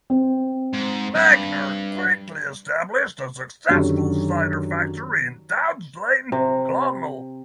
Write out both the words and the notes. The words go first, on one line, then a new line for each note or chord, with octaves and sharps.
Magner quickly established a successful cider factory in Dowds Lane, Clonmel.
C4
G#2
G2
F#2 D3 D#3 G4 A4 C#6
C3